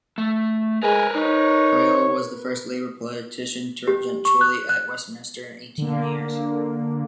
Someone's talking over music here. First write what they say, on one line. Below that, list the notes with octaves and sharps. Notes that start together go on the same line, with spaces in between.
Hoyle was the first Labour politician to represent Chorley at Westminster in eighteen years.
A3
G#3 A#4 B4 G#5
D#4 C#5
G4
C#6
F#6
F#6
D3 A#3